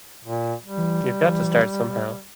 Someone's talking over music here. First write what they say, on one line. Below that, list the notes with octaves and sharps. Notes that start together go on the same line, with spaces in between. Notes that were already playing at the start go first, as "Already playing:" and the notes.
You've got to start somehow.
A#2
G3